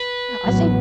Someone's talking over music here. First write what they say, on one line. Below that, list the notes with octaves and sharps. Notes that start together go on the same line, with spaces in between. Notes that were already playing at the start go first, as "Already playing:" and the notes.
I think
Already playing: B4
A1 A2 F#3 B3